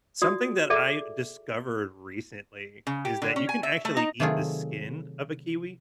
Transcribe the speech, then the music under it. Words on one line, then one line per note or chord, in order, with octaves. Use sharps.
something that I discovered recently is that you can actually eat the skin of a kiwi.
F4 F#4 D5 D#6
G#4 A4 D5 E5 D6
C#3
G4
D3
C#4
G#5
E5
A3
D#4
C3 D#3 F#3 A3 F4 G#4